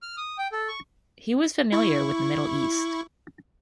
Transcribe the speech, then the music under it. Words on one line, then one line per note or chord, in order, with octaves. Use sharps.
He was familiar with the Middle East.
F6
D#6
G5
A4
C#6
E4 C#6